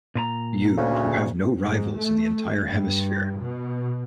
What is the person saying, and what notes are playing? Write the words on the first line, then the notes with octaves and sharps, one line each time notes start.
You, who have no rivals in the entire hemisphere!
A#2 B4 A#5
D2 C#3
G#2
A3
G2
B2